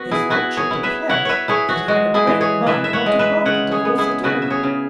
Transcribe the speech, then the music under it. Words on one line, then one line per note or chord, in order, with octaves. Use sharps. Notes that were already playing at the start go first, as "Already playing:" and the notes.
His lordship declared that he had a great mind not to grant the Divorce at all.
Already playing: B3 F#4 B4
E4 G#4
E4 F#4 B4
G#4 C#5
E4
B4 E5
E4 C#5 F#5
B4 C#5 E5
E4 G#4 C#5
F#4
G#3 F#4
E4 G#4
E3
G#4 C#5
E3 B4 E5
E5
C#5 F#5
G#3
B4 E5
C#3 C#5 F#5
G#4 C#5
B3
E4 G#4
C#3 F#4 B4
E5
G#4 C#5
C#3